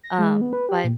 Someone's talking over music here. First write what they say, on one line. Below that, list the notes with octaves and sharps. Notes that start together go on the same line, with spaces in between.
Um, but
A#6
G#3
B3
B4
G4
A#2